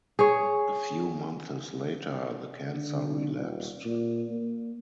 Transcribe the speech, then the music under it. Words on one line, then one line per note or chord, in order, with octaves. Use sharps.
A few months later the cancer relapsed.
G#4 C#5
D3
D#1
A#2
A#3